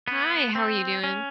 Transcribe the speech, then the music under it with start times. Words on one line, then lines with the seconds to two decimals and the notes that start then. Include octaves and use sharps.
Hi, how are you doing?
0.08 B3
0.55 C4
1.04 C#4